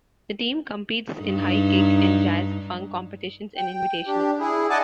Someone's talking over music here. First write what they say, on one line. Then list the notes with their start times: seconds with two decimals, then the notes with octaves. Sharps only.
The team competes in high kick and jazz funk competitions and invitationals.
1.17 G2 D#4
3.57 G5
4.07 D4 G4
4.40 E4 G#4
4.70 D5 D#5 F#5 G#5 A5 D6